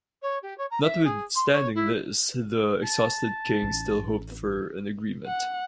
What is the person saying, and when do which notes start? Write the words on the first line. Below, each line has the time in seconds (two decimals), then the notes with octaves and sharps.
Notwithstanding this, the exhausted king still hoped for an agreement.
0.22 C#5
0.42 G4
0.58 C#5
0.71 A#5
0.83 E5
1.05 G#4
1.35 C6
1.52 C#5
1.75 E4
2.83 A5
3.62 A1 D#4
5.26 F#5